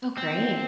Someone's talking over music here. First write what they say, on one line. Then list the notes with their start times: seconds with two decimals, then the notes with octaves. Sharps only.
Oh, great.
0.18 C4